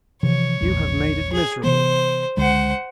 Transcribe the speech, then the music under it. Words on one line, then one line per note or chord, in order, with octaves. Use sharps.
You have made it miserable.
C3 E3 F3 C#5
E1 A#1 E2
G#4
C3 E3 B3 C5
C#2 D3 G#3 C5 F#5